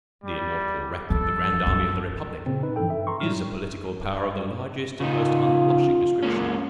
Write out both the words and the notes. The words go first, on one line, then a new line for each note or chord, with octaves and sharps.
The immortal wreck of the Grand Army of the Republic is a political power of the largest and most unblushing description.
G3
F3 A4
F#2
A#2 C#3 C4
D#4 B4
G2 E3 F3 A4 G5
E5
A#5 C6 C#6
A2 F#3 G3 D#4 F6
C#3 D#4 F4
G#3 A#3 C#4